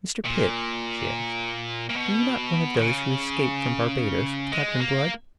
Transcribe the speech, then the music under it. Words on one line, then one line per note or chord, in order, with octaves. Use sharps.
"Mr. Pitt," she asked, "were you not one of those who escaped from Barbados with Captain Blood?"
A#2
A#2
B2
D#3
C#3
G#3
A#3